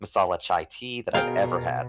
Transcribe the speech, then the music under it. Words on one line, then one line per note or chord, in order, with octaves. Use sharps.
masala chai tea that I've ever had.
B2 G#4 A#4 F5 G5